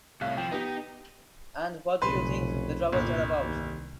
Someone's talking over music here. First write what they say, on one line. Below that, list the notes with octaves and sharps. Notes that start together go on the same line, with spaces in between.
And what do you think the troubles are about?
C2 A2 F5 F#6
F3 G5
B3 D#4 G4
F1 B1 C#3 C#4 B4 C6
G1 C2 A#2
D#2